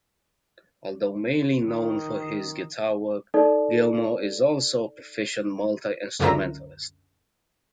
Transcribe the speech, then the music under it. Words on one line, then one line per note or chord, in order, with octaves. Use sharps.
Although mainly known for his guitar work, Gilmour is also a proficient multi-instrumentalist.
D#3
D#4 A4 D5
C#2 F#2 D3 F4 E5 A#5